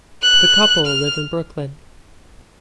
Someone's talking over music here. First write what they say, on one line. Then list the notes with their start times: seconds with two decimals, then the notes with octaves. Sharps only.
The couple live in Brooklyn.
0.22 F#6
0.86 F6